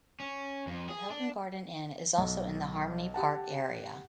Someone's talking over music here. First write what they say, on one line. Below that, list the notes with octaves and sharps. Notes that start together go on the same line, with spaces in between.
The Hilton Garden Inn is also in the Harmonie Park area.
C#4
F2
G#4
D4
B1
G4 F#5 A5